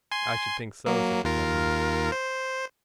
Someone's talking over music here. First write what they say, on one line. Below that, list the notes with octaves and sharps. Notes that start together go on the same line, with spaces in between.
'I should think so,' said the gentleman.
G#5 C6
F#3 A#3
D#2 F4 A#4
C5